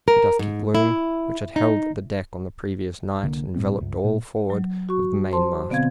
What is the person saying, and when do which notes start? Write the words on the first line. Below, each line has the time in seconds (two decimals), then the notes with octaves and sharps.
The dusky gloom which had held the deck on the previous night enveloped all forward of the main-mast.
0.08 A#4
0.39 G#2
0.75 E4
1.56 D#4
3.22 C2 D3 A#3
3.56 D1 A2 G3 C4
3.81 C#2 G2
4.04 A#2
4.50 F#3
4.89 F#4 C#6
5.33 C5 A5 C6
5.70 B2 D3 B3 C4 F5 G#6